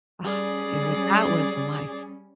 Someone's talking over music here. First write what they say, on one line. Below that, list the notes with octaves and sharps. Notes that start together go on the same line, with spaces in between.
Ah, dude that was my
G3 C#4 G#4 D5